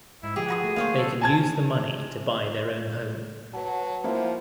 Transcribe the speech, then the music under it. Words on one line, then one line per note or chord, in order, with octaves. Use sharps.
They can use the money to buy their own home.
G#2 E4
D3 F3 B3 G4 G#4
F#4 A#5 D#6
A3
D3 A#3 D4 C5 C#5 F5
A4
G#5 A5 G#6
F#3 B4 F#5 A5
F3 A#3 E4 C5